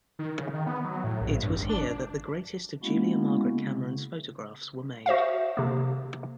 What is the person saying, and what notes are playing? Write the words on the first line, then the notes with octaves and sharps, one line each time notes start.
It was here that the greatest of Julia Margaret Cameron's photographs were made.
D#3
C#3
D#3
B3
F#3
A2
A#1
G2
G#1
D4
G#3 A#3 B3 C#4 E4 F#4
C#3
F#4 C5 E5 F5
C3 A#3